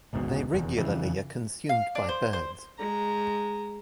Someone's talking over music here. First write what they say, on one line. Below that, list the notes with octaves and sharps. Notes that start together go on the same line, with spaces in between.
They regularly are consumed by birds.
A1 D2 G#2 B2
F1 E2
F2 C#3 E3
F5
D4
C5
C5
G#3 A#5